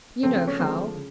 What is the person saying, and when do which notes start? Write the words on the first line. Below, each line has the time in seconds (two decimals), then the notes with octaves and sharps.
You know how!'
0.23 C#3 F3 A3 C4
0.35 C4
0.47 C#4
0.59 D3 F3 G#3 C4
0.95 C#3